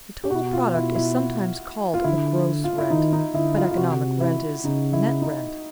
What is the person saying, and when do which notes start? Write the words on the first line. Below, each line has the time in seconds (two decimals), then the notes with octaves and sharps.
The total product is sometimes called the "gross rent," but economic rent is "net rent."
0.24 G4
0.30 B2 F#4
0.53 F4
0.75 E4
0.95 E4
1.94 F4
2.04 D3 E4
2.64 F4
2.78 E4
2.90 D#3 D#4
3.13 D#4
3.34 D3 E4
3.56 F4
3.71 F4
3.77 C3 F#4
4.20 E4
4.64 C#3 D#4
4.93 E4
5.22 D#4